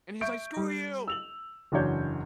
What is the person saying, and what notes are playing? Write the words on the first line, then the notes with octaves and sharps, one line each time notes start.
And he's, like, "Screw you!"
E5 C#6 G6 D7
G3
E6 F7 F#7
F#1 E2 D4 F#4 C#5 G6